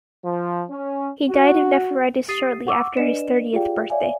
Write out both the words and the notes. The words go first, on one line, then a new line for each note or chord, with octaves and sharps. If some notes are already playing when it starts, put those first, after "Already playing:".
He died of nephritis shortly after his thirtieth birthday.
F3
C#4
F#4
G4 D#6 A6 C7 D#7
F#5 C#6 D6 E6
D4 B4 D5 D#5 E7
F4 G4 G#4 D5 F5 G5
C#5 D5 E5 F5 G#5